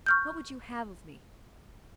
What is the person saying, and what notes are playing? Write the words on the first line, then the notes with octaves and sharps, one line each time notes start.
What would you have of me?
C#6 F6 G6